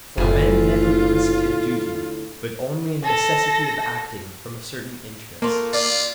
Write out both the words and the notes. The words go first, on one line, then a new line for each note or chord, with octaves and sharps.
For men never elicited duty, but only a necessity of acting from a certain interest.
F#1 D2 A2 E4 F4 G#5
A4 A#6
A3 A#3 F4
F4 D5